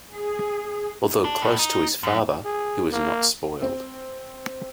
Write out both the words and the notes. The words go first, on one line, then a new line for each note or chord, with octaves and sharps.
Although close with his father, he was not spoiled.
G#4
D4
A2
D#4
F#2
G#4
A#3
C4